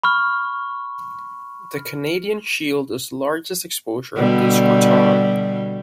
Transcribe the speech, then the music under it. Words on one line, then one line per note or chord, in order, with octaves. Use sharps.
The Canadian Shield is the largest exposure of this craton.
B5 C#6 F6
B2 D3 G3